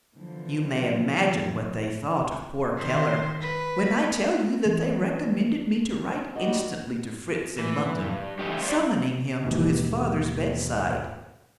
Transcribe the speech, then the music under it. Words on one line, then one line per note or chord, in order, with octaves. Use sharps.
You may imagine what they thought of poor Keller, when I tell you that they recommended me to write instantly to Fritz in London summoning him to his father's bedside.
D3 E3 F3 B3
D#3 C5
B4
E3
D#3 F#3 G3 F#4 D#5
E3
G2
C#3 E3 G3 A3 D#4 G4
G2 G4 C5 D5
D#2 G#2 B2 E3 G4